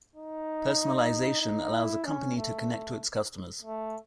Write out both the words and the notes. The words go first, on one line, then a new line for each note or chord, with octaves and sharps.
Personalization allows a company to connect to its customers.
D#4
D#4
E4
C#4
A3
A3